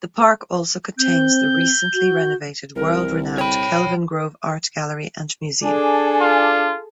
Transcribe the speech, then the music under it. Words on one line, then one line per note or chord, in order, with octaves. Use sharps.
The park also contains the recently renovated world-renowned Kelvingrove Art Gallery and Museum.
C4 G6
F#4
C2 A#4
C#5 G5 B5
D4 G#4 A4 G#5
F4